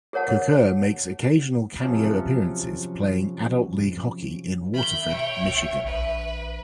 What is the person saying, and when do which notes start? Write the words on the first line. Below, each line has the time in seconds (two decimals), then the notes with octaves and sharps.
Kocur makes occasional cameo appearances playing adult league hockey in Waterford, Michigan.
0.13 G#4 A#4 C#5 F#5 A5
1.83 C3 F3 F#3 C#4
4.74 D#3 E5 B5 G6
5.09 B2 C#5 G5
5.43 C2 E5
5.86 A#1 B4